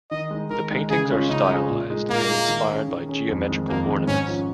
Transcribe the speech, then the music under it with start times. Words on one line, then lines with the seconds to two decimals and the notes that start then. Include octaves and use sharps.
The paintings are stylised and inspired by geometrical ornaments.
0.11 D#3 D#5
0.30 G#3 D#4
0.50 D#3 A#4
0.70 G#3 D#4
0.90 C#3 G#4
1.10 G#3 C#4 F4 G#4
1.29 C#3 D#4
1.50 G#3 C#4 F4 G#4
1.70 A#2
1.90 G#3 D#4 G#4
2.09 A#2 A#3
2.29 G#3 D#4 G#4
2.48 D#3
2.69 C#4 G#4
2.89 D#3
3.09 C#4 G#4
3.29 F2
3.48 D#3 G#3
3.68 F2 A#3
3.87 D#3 G#3
4.07 G#2 C#4
4.27 F3 C#4